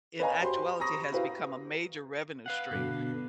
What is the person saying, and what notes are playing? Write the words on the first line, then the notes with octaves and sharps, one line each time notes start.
in actuality has become a major revenue stream.
B4 C#5 D#5 F5 G#5 A#5
F#4 G4 C5 B5 C6
A#5 B5 C#6 D#6 A#6
E4 F#4 G4 B4 C5 F5
B4 F5 F#5
B2 D3